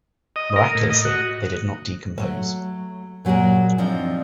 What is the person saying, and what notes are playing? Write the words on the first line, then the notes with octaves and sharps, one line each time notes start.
Miraculously, they did not decompose.
D#5
A#4
A2
D#5
F#4
F#3 A3
A#2 F#3 G4 G#4 A#4
F3 C4 D4 D#4